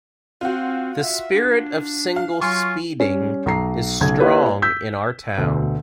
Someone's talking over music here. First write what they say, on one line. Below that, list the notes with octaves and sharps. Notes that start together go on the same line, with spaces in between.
The spirit of single speeding is strong in our town.
C4 F4 F#4
E5
D4
F5
F#3 F4 G#5 C6 C#6
G3 C#4
B1 A#5 C7
B1 C#3 G#6
A#3 E4 G4 B4 C#5
E6 G6 B6
D2 B2